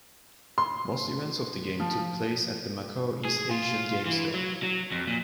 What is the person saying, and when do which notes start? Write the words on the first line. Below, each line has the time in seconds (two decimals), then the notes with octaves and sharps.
Most events of the games took place at the Macao East Asian Games Dome.
0.58 C6
1.80 F3
3.25 G#4
3.51 F4
4.06 E3
4.34 F#3
4.63 F#3
4.92 F2
5.07 A#2